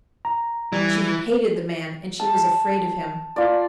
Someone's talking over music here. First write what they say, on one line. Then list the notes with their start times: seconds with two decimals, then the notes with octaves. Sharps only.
She hated the man, and she was afraid of him.
0.25 A#5
0.73 E3 G3
2.20 A5
3.36 F4 D5